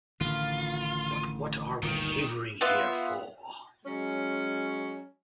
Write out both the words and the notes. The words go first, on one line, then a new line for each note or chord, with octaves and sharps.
But what are we havering here for?
A1 D3 D#3 F4
G1 D2 A#2 D#3
B3 F4 E5
F#3 G#3 C#4